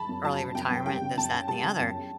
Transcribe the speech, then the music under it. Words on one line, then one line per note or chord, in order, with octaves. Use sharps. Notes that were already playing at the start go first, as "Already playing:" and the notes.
early retirement, this, that, and the other,
Already playing: A5 B5
F#2
F#3 A5
C#3
F#2 G5
F#2
G3 G5
C#3
F#2 A5
C#4
G3 A5
C#3
F#2
C#4